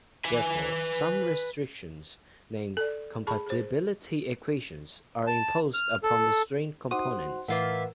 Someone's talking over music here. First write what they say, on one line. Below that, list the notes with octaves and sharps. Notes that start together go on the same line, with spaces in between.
Therefore, some restrictions, named "compatibility equations", are imposed upon the strain components.
B4 G#5
A4 D5
G#4 A5 B5 C#6
G#4 C5
A5
F6
A4
D#4 F#4 C5 F#5 C6 D#6
A2 E3 A#3 F4 A#4 B4 E5 F#5